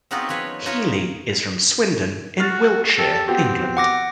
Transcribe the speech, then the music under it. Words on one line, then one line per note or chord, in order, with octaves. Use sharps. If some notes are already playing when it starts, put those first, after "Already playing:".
Healey is from Swindon in Wiltshire, England.
G#3 B3 C4 D#4 F4 F#4
F3 G#4 B4 C#5
D#4 F4 B4 C#5 D#5
F#4 F6 A6 F7
G4 A4
B3 C4 F#4 G4
F#5 D6 A#6